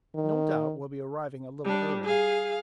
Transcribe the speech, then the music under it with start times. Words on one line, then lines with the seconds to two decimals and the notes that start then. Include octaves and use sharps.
No doubt we'll be arriving a little early.
0.15 D#3
1.64 G3 D4
2.03 G#4 F5